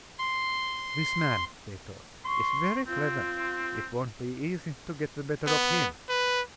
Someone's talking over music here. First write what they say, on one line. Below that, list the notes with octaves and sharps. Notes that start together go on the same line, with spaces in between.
"This man," they thought, "is very clever; it won't be easy to get the better of him."
C6
C6 C#6
C4 F4
B3
B4